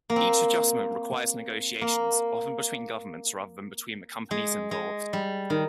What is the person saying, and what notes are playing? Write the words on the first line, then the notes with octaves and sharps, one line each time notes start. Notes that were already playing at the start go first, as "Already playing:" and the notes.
Each adjustment requires negotiations, often between governments rather than between the companies involved.
A#3
C4
A#3
G#3
G#3
G3
D#3